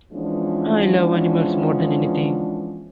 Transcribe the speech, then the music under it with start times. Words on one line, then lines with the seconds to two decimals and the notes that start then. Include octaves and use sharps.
I love animals more than anything.
0.12 E3 F3 G#3 B3 C#4 D4